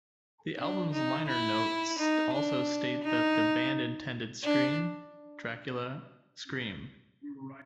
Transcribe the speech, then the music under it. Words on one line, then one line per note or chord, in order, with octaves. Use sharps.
The album's liner notes also state that the band intended Scream, Dracula, Scream!
D4
D#4
E4
D#4
D4
D#4
D4